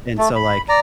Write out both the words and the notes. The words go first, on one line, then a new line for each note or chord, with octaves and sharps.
and so, like,
A3
B5
D5 A#5